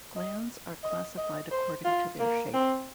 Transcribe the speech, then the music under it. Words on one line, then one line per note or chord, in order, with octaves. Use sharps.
Glands are classified according to their shape.
D#5
D#5
D#5
C5
F4
A#3
C4